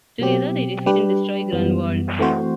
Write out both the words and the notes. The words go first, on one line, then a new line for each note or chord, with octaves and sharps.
Together they defeat and destroy Grunwald.
B2 F#3 C4 G4
G3 D4 G4 B4
F#2 E3 G3 B3
E3 A3 C4 F#4 C5